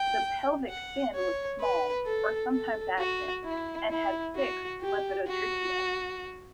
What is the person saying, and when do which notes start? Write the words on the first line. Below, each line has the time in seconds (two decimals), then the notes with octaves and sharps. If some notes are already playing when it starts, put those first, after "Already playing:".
The pelvic fin was small or sometimes absent, and had six lepidotrichia.
Already playing: G5
0.69 F#5
1.15 C#5
1.60 B4
2.06 A4
2.52 A4
2.98 F#4
3.44 E4
3.89 E4
4.36 F#4
4.81 G4
5.27 F#4